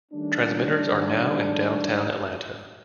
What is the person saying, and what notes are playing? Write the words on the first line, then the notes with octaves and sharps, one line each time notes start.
Transmitters are now in downtown Atlanta.
D#3 G3 A3 C#4 D4